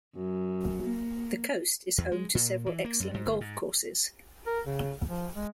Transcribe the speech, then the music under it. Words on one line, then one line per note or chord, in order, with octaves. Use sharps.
The coast is home to several excellent golf courses.
F#2
A#3
E2
G#3
A#2
E3
A#3
F#2
G#2
G1
G#2
A#4
C#3
F3
G#3